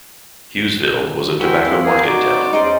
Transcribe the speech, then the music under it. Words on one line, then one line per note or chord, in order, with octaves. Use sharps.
Hughesville was a tobacco market town.
E4 F#4 A#4 C5 G5 G#5
C4 F5
A#3 G#4 A#4
D#4 F#4 D5
E2 C#4 D#4 G#4 C5